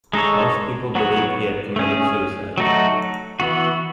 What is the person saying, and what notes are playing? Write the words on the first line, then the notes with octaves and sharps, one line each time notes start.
Most people believed he had committed suicide.
G#3 D#4 A4 C#5
F#3 B3 F#4 C#5
A3 C#4 G#4
F#3 A3 D#4 F#4
E3 B3 F#4